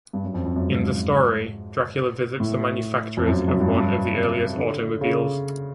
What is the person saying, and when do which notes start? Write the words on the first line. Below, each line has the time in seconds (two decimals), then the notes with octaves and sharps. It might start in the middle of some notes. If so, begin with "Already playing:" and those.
In the story, Dracula visits the manufacturers of one of the earliest automobiles.
0.13 G2
0.24 F#2
0.34 F2
0.45 F2
0.56 F#2
0.67 G#2
2.40 A2
3.17 F2
3.28 F#2
3.48 F#2
3.60 G2
3.68 F#2
3.77 G2
4.14 C3
4.57 D3
5.01 C#3